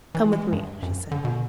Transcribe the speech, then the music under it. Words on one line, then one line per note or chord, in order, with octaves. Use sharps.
'Come with me,' she said.
E3
G#3
G2
F#2
D3
B2